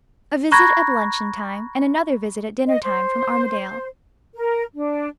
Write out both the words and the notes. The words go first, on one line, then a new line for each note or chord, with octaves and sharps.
A visit at luncheon-time and another visit at dinner-time from Armadale.
A#5 B5 C#6 F#6 G#6 A#6
D#5
C5
A#4
D4